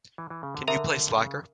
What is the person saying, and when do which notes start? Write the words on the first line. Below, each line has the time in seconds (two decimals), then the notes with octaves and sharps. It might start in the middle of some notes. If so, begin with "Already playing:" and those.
Can you play Slacker?
0.18 E3
0.30 E3
0.43 C#3
0.55 D3
0.67 D3 A#4 E5 A#5
1.17 C#3